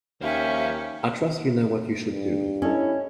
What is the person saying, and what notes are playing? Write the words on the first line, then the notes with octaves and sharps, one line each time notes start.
I trust you know what you should do.
D#2 C#4 G4 C5 E5 F5 F6
G2
C#4 E4 A4 C#5 D#5